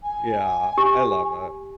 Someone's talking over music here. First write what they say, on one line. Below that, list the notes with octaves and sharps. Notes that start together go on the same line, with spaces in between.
Yeah, I love it.
G#5
G4